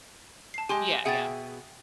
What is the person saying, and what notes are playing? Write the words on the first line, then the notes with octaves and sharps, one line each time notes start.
Yeah, yeah.
A5 C7
G#3 G4 G#5 C6
B2 G#4 E5 F#5 G5 A6